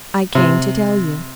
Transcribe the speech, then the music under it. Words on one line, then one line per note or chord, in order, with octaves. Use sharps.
"I came to tell you."
C3